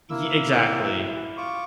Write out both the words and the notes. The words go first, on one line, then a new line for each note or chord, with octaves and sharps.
ye exactly.
A#3 E4 E6
F4 C#6 D6